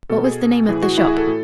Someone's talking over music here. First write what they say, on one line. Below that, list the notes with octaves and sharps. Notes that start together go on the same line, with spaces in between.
"What was the name of the shop?"
B2 A4
G#4
A2 E3 G#4
F#4
E4
G#4
A4
A2